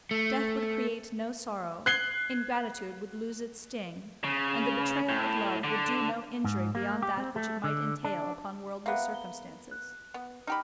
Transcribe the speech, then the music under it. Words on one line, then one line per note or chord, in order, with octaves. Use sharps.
Death would create no sorrow; ingratitude would lose its sting; and the betrayal of love would do no injury beyond that which it might entail upon worldly circumstances.
A3
F#6 G#6 C7 G7
C#3
A2
D3
G#2
A#3
G4
C4
A3
D3
D4
A#3 B3 E5 F5 F#6
G7
F#6
B3
D#4 G4 A#5 B5 F6